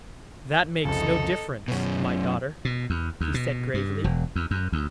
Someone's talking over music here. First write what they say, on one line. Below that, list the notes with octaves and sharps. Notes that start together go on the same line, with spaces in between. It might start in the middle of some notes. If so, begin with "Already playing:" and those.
"That makes no difference, my daughter," he said gravely.
C2 F2 C#3 D#4 A4
F#2 B2
B2
E2
D#2
B2
G2
E1
E2
F#2
D2